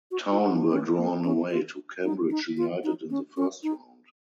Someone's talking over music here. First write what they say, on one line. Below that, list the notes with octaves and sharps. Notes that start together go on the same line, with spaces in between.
Town were drawn away to Cambridge United in the first round.
F#4
F4
D#4
C#4
A#3
C#4
F4
D#4
D#4
F4
D#4
C#4
C#4
D#4